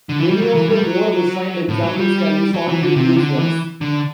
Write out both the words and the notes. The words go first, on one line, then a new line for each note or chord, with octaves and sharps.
Many of the more refined examples can be found in museums.
D3
E3
G3
F#3
E3
G3
F#3
A2
F#3
G3
F#3
E3
D3
C3
D3
E3
D3